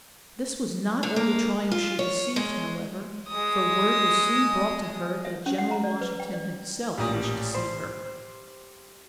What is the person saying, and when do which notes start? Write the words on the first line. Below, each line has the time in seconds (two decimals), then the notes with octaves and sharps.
This was not all the triumph she received, however, for word was soon brought to her that General Washington himself wished to see her.
1.03 D3
1.16 A#3
1.71 F4
1.99 C#5
2.36 G#3
3.29 G#3 D#6
5.25 E5
5.46 C#4
5.58 F#5
5.71 A#5
5.84 D5
6.01 B4
6.20 G5
6.33 D5
6.98 A1 A#2 G3 D#6
7.55 C5 C6